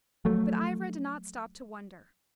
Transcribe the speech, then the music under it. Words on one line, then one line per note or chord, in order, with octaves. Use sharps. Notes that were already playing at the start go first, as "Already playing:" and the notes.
But Ivra did not stop to wonder.
F3 F#3 A3